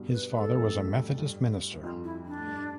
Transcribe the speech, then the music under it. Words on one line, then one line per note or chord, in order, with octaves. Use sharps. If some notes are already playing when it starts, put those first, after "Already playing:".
His father was a Methodist minister.
Already playing: G2 B2
B4
A4
F2 A2
G2
G2
F2 F4
E4
D4
A2
G2